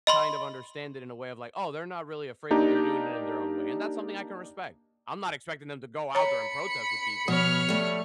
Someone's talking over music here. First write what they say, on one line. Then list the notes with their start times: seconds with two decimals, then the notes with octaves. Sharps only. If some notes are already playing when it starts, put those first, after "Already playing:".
kind of understand it in a way of like, "Oh, they're not really afraid, but they're doing it in their own way," and that's something I can respect. I'm not expecting them to go out there and protest with people,
0.07 D#5 B5 C6
2.50 A#3 D4 D#4 G4 A#5
6.15 C#5 A#5 B5 C#7
7.28 B2 F3 C#5 F6
7.69 G3 A3